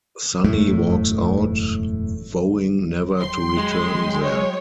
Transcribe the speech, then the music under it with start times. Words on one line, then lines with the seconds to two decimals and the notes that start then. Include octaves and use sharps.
Sonny walks out, vowing never to return there.
0.44 E1 F#2 A2 A3
3.19 F#3 G5 C6
3.57 G#3
4.23 C#5